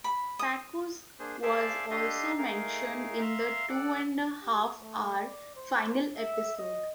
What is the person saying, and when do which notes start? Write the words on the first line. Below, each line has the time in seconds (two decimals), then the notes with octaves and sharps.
Packo's was also mentioned in the two-and-a-half hour final episode.
0.04 B5
0.39 D#6
1.19 A#3 D4 G#4 C5
1.43 G#4 C5 D5 E5 F5 A5
1.91 D4 G4 A4 D#5 F5 C6
2.38 A3 D#4 G#4 A#4 F5
3.21 E5 F5 A#5 C6
3.69 A4 D5 F#5
4.42 G4
4.81 A3
5.18 D5
5.56 C5
6.17 E5
6.58 D#5